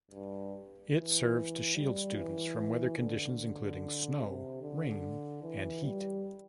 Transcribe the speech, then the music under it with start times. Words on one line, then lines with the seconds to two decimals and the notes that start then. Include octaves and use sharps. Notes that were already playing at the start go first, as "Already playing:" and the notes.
It serves to shield students from weather conditions including snow, rain, and heat.
0.11 G2
0.94 E3
1.76 G3
2.16 E3
2.98 D3
4.21 C3
4.62 D3
5.43 E3
5.84 G3